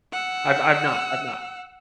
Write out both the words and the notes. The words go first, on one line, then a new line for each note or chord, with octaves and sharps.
I've I've not I've not.
F#5 E6